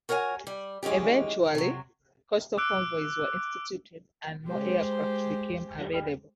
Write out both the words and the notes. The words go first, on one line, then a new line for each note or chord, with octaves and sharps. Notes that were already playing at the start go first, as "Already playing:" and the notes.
Eventually, coastal convoys were instituted and more aircraft became available.
F#4 A#4 C#5 F5 G#5
G3
E3 G#3 C#4 D#4 G4
C3 F#3
D6 E6 F#6 D7
G#3 G4 C5